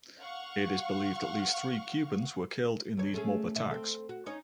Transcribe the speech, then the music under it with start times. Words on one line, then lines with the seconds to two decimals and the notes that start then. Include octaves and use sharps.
It is believed at least three Cubans were killed in these mob attacks.
0.20 F5 F#5 C#6
2.97 D#2 C#5
3.14 A3 C#4 G#4
3.56 B2 D#3 E5
3.71 C4 A4
4.09 F#4
4.26 C#4 D#4 C#5